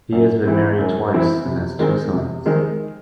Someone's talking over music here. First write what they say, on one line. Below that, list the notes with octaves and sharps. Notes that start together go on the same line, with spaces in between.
He has been married twice and has two sons.
F#2
E3 C4 E4
F#2
E3 C4 E4
C3
D#3 G#3 C4
C3
D#3 G#3 C4